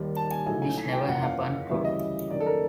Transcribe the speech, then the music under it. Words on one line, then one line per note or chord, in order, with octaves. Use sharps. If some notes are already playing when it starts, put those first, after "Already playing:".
This never happened though.
Already playing: D#2 D#3 G3
A5
G#5
B1 A2 F#3 A3 G#5
G#5
G#5
G5
F#1 E2 C#3 F3 F#5
F5
D2 C#3 E3 G3 E5
D#5
F#1 F#2 D#3 D5
A4
A#4